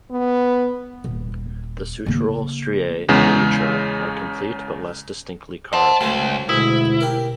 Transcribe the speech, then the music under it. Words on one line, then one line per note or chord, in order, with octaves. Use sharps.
The sutural striae in elytra are complete but less distinctly carved.
B3
D#1
C#3 A#3
E2 C#3 G#3
C5 D#5 F#5 A5 C6
C#2 F#3 A3
D2 G#2 B2 E4
G4 A#4